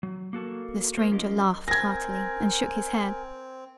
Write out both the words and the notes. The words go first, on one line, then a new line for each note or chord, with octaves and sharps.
The stranger laughed heartily, and shook his head.
F#3
A#3 F#4 A4 A#4
A#3 A#4 C5
F#3 C#4 F4 G4 A#4 D#5
C4 A#4 G5 G#5 G#6 A#6